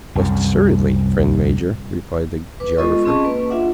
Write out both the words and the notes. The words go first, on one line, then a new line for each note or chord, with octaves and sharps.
"Most assuredly, friend Major," replied the geographer.
C2 F#2
B4 D6
G#3 B3 F4 A4 D#5 C#6
C4 C#4 G#4 D#5 A5 C#6
A#3 B4
D4 F4 E5 F#5 D6